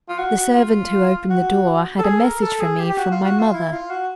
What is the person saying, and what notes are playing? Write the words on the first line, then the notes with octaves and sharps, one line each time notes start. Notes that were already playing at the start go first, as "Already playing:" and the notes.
The servant who opened the door had a message for me from my mother.
F4
F#4
F#4
F4
F#4
A4
G#4
A4
A#4
A4
G#4
G4
G4
F#4
F4
F#4
F4
E4
F4
F#4